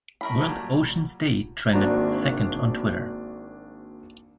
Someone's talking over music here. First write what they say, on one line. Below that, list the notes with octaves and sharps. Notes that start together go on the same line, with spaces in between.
World Oceans Day trended second on Twitter.
A3 A#4 B5
A#2 F#3 G3
G#1 A#3 D4 F#4 C5 A#5